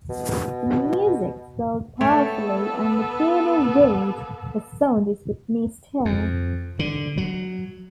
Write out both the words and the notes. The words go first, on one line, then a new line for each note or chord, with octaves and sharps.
The music swelled powerfully and the piano roared... the sound is with me still.
B2
A3 B3 A4 C#5 G5
F2
D3
F#3